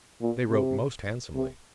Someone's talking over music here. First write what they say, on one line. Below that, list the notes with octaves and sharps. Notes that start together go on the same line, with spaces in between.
They wrote most handsomely.
A#2
C3
C3